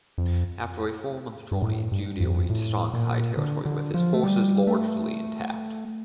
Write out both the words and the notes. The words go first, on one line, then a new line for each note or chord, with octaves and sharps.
After a four-month journey, Judar reached Songhai territory with his forces largely intact.
F2
G2
A2
G2
F2
A2
A#2
D3
D3
F3
A3
G3
A3